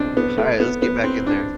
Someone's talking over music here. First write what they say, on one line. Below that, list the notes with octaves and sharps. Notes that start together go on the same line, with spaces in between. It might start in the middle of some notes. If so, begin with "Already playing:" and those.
Alright, let's get back in there.
Already playing: B1 C4 D4
B3
A3
B3
B3
C4
D4